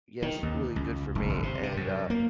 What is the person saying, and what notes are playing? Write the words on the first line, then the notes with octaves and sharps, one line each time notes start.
Yes. It's really good for me, and, uh,
D#3
D#2
C#2
F1
G1
C3
C3
F#2
A#3